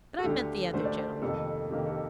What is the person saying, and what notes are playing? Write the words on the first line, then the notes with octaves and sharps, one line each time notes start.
But I meant the other gentlemen.
A4
D2 D3 A3 G4
D2 D3 A3 C5
D5
C5
F2 C3 D#3 A#3 A4
F2 C3 D#3 A#3 G4
A4